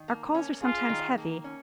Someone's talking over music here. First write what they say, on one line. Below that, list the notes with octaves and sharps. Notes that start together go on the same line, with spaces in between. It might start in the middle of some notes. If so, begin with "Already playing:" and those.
Our calls are sometimes heavy.
Already playing: D#3
A#3
C#4
F4 G#4
D#3
A#3
C#4